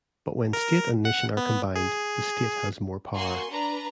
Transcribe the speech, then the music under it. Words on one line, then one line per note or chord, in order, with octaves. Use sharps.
But when state and nation are combined, the state has more power.
A#4
F#5
B3
G#4
A#3 F#4 G#5 C6 C#6
D4 B4 A#5